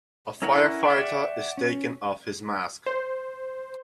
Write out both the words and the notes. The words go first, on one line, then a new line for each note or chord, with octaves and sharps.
A firefighter is taking off his mask.
C#4 E4 A#4 C#5 F#5
D5 E5 F#5 G5 C#6
C#4
C5